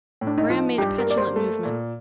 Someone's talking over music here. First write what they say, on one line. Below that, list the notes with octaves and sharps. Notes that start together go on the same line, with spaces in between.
Graham made a petulant movement.
A2
D4
D#4
F3 F4
G2 G4
A#4
A#3 D5
C5
A3
A#2